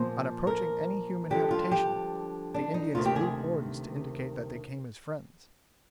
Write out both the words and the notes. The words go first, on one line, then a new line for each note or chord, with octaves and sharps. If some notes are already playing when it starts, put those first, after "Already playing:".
On approaching any human habitation, the Indians blew horns to indicate that they came as friends.
Already playing: A#2 F3 A#3 C5
A#4
G2 D3 F3 G#3 G4
F4
G4
D4
D#4
D2 C3 D#3 A#3 F4
G4
G#4